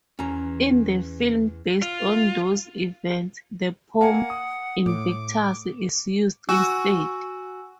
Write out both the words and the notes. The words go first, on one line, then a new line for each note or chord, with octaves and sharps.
In the film based on those events, the poem "Invictus" is used instead.
E2 C#4 A#5
F4
A#3 F#5 G#5
D#6
A2 D6
F#4 G#5 E6